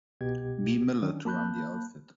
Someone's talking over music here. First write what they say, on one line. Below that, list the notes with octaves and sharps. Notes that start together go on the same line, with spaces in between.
B. Miller to run the outfit.
C2 B2 G4 G#6
D#3 C#4 D4
A#3 A5 B5 F#6 G6